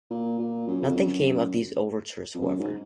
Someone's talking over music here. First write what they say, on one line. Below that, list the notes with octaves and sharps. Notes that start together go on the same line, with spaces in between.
Nothing came of these overtures however.
A#2
A#2
F#2
F2
F#2
F2
F#2
G#2